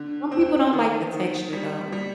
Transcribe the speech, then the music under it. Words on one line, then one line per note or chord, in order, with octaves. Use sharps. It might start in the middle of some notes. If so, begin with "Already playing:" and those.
some people don't like the texture though,
Already playing: D3
C4
D#3
D#3
G3
G3